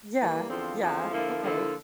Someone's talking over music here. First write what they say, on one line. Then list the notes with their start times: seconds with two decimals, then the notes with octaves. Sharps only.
Yeah, yeah, okay.
0.20 E3 G3 A#3
0.50 E2 D3 F3 C4 F4
0.81 E2 D3 F3 C4 F4
1.12 D3 F3 A#3 E4 A4
1.43 D3 F3 A#3 E4 A4